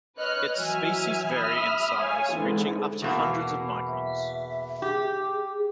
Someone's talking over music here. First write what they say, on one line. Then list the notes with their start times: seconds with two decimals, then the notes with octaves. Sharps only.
Its species vary in size reaching up to hundreds of microns.
0.17 B4 C#5 D#5 F6 F#6
0.57 E3 F#3 E5 G#5 F6
1.29 E5 B5 D#6 F6
1.99 C#5 F5 G#5
2.33 G#2 D3 E3 C4
3.02 E2 B2 A#3
3.88 E5
4.82 G4 G#4